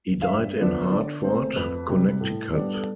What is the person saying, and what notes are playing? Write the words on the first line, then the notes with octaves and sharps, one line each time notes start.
He died in Hartford, Connecticut.
F5
G2 E5
D3 F3 B3 D4
D3 D5
A3 C4 C5
F2 B4
C3 G3
A2 A4
G3 B3 D4
A4